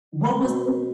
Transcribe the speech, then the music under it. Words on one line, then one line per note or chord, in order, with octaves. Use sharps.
what was the
B2